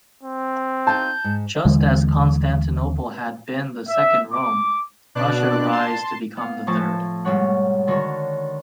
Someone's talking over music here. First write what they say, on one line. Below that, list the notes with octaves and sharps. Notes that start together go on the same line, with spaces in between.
Just as Constantinople had been the Second Rome, Russia rise to become the Third.
C4
D#4 F#4 F5 A5 G6
G#2
D#2 D3 E3 G#3
E5
D6
B2 D4 D5 F#6
A5 C6
B3 F5
A2 F3 C5 A5 C#6 E6
G#2 B2 G3 C#5 F#5
D3 D#3 D4 F#4 A#4 C#5